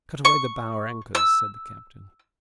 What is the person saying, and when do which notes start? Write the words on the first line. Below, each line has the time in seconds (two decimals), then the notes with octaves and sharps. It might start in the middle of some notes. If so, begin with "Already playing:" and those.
"Cut away the bower anchors," said the captain.
0.25 C#6
1.15 E6